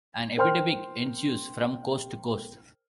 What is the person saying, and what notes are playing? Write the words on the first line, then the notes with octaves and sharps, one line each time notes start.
An epidemic ensues from coast to coast.
A#4 C5 G5 C6 F6